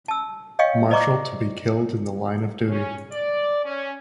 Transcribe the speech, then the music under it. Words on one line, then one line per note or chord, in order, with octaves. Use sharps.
Marshal to be killed in the line of duty.
A5 E6
C#5 D#5 F5 G5 C#6
C5 D5 D#5 A#5 C#6 D6
C#4
D5
C#4